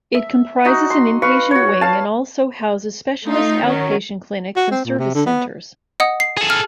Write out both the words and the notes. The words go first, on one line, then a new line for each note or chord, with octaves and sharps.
It comprises an inpatient wing and also houses specialist outpatient clinics and service centres.
E5
D#4 F#4
C6
B4 F5 C#6
F#4 C#5
F5 A5
A3 D#4 F4
D#3 F#3 C#4
F#4
C4
A#2
C3
D3
B3
D#5 F#5 D#6
C7
G#4 A4
F6